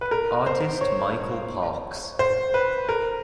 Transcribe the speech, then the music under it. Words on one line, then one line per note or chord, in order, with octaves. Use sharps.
Artist Michael Parkes.
B4
A#4
C5
C#5
C5
B4
A#4